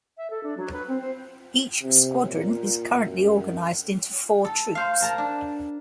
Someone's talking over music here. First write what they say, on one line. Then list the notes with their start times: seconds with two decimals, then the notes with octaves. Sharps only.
Each squadron is currently organized into four troops.
0.17 E5
0.30 A4
0.43 D4
0.57 F#3
0.72 B4
0.87 C4
1.00 C5
1.83 C3
2.28 A#2
3.01 F#2
4.45 A4
4.75 C5 F5
5.01 A#4 A5 A#5
5.18 D4